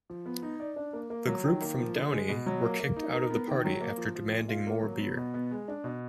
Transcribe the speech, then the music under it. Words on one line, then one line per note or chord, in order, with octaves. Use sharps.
The group from Downey were kicked out of the party after demanding more beer.
F3
B3
D#4
D5
D4
A#3
A#3
F#3
D#3
A#3
F3
D3
G#3
B2
F#3
A#3
A#3
D#4
A#4
B3
D#3
F#3
A#3
F3
F3
A#2
F4
A#3
F#3
B3
B2
B3
G#3
D4
B2